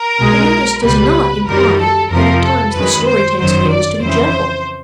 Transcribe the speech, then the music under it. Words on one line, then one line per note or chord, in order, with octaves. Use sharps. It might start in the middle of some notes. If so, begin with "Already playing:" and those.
The notice does not imply that at times the story takes pains to be gentle.
Already playing: A#4
B1 B2 G#3
C#2 B2 G3 B4
F#2 D#3 G3 A#4
A4
F2 C3 F3 A#4
A4
F#2 D#3 G#3 B4
C5
G1 F#2 D#3 F#3 C5
D5
F2 C#3 E3 C5